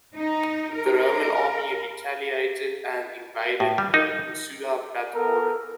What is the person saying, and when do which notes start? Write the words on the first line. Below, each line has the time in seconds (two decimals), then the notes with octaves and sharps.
The Roman army retaliated and invaded the "insula Batavorum".
0.15 D#4
0.75 A#4
3.60 A2
3.78 G3
3.94 D#4
5.15 B3 A4 A#4